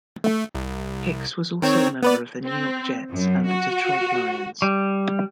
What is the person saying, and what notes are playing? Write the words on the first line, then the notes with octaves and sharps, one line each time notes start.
Hicks was also a member of the New York Jets and the Detroit Lions.
A3
C2
D#3 C4 C#5
B3 B4 D5
C4
F#2
F#4
G3